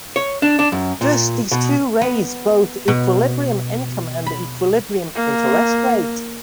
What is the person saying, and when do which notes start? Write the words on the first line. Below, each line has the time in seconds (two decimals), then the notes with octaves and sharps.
Thus these too raise both equilibrium income and the equilibrium interest rate.
0.16 C#5
0.42 D4
0.59 D4
0.72 F#2
1.01 A#2
1.52 B2
2.01 B3
2.88 B2
4.26 B5
5.15 A#3